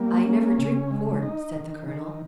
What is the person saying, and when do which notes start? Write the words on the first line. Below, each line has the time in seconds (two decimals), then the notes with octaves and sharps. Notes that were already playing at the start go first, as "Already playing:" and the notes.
"I never drink port," said the colonel.
Already playing: G3 A#3
0.26 C#4
0.58 C#3
0.91 G#3
1.23 D#4
1.56 D#3
1.88 D#3